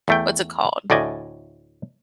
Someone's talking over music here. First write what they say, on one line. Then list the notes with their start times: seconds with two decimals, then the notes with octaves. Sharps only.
what's it called?
0.08 E2 A3 G5
0.90 D2 A2 D5 D#5 G#5